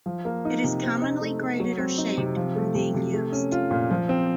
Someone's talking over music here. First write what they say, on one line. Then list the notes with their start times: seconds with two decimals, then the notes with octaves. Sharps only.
It is commonly grated or shaved when being used.
0.06 F3
0.25 A#3
0.45 D#4
0.64 C3
0.83 C4
1.02 D#4
1.21 A3
1.41 A3
1.60 F#3
1.78 C4
1.98 D#4
2.18 C3
2.36 F3
2.56 A3
2.75 C3
2.94 C3
3.13 A3
3.32 C#4
3.52 F4
3.71 A#2
3.90 F3
4.09 C4